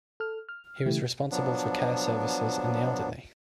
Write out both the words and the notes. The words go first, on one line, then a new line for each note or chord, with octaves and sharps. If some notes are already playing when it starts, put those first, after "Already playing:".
He was responsible for care services and the elderly.
A4 F6
F6
C#3 E3 A3 E4 G4
F3 F#3 B3 D4